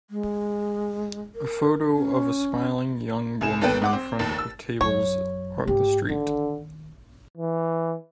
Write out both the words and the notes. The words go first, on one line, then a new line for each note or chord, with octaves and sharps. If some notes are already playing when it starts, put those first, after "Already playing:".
A photo of a smiling young woman in front of tables on the street.
G#3
A#4
C#4
C2 G#5 E7
D#2 B3 A4 B4 G5
G#2 F#5 D6
C4
F1 D#2 A5 A6
E6
F#2 C#5
G#2 A3 G4
D3 D#3
E3